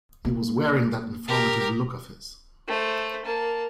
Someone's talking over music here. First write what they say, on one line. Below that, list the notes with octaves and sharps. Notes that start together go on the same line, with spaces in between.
He was wearing that informative look of his.
A#3
G4 A#4
A3 C5
A#3 A5